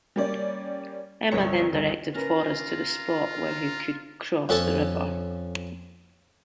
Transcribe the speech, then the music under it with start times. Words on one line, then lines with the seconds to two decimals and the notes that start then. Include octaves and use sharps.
Emma then directed Forrest to the spot where he could cross the river.
0.16 G3 A#3 C#4 D5
1.32 G1 C2 C#5 C#7
1.72 G1 D2
2.15 C#4 F4 A#4 B4 A#5
4.49 F2 C#4 A4 C#5 A5